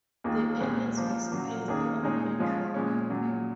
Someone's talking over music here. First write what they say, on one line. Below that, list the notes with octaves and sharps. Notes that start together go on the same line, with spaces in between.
The earliest was placed on bedrock.
D#2 D#3 A#3 F4 G#4
C2 A#2 G#3 C#4
F3 A#3 F4 C5
A#2 F#3 A#3
D#2 D#3 A#3 C#4 G#4
A#2 G#3 D#4 G#4 C#5
F3 G#3 C#4 F4
A#2 G#3 C#4
A#2 F#3 C#4